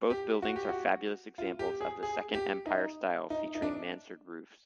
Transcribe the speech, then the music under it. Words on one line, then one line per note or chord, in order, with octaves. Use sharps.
Both buildings are fabulous examples of the Second Empire style featuring mansard roofs.
G4
F#4
G4
F#4
F4
G4
G#4
G#4
G4
D#4
D#4
D#4
D4